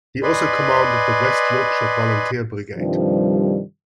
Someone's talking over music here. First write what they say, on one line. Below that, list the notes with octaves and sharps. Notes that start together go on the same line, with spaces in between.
He also commanded the West-Yorkshire Volunteer Brigade.
B4 D5 D#5 G#5 B5 C6
G2 C3 D#3 F3 G3